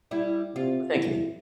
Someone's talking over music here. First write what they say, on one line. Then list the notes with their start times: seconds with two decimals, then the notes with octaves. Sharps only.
Well, thank you.
0.11 G3 E4
0.56 C3 F4
0.93 E4